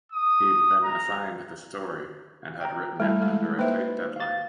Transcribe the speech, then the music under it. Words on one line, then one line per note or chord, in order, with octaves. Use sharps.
He'd been assigned the story and had written it under a tight deadline.
D#6
A#5
G5 A#5
G3 A3 E4 A4
G#3
A#3 D#4 B4 C5 E5
F5 A6